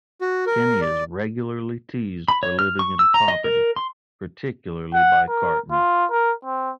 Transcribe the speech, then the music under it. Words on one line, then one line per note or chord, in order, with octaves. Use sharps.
Kenny is regularly teased for living in poverty, particularly by Cartman.
F#4
A#4
D5
B5
C#5
F6
C#6
E6
A#5
D#5
A#4
C6
F#5
A#4
F4
A#4
C4